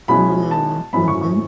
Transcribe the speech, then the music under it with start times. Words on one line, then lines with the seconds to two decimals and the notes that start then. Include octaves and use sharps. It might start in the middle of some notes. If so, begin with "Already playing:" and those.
Mm, mhm.
0.08 B1 B2 G#3 C#4 E4 B5
0.51 A5
0.93 G#1 F#2 E3 A3 B5
1.08 C#6
1.21 C#6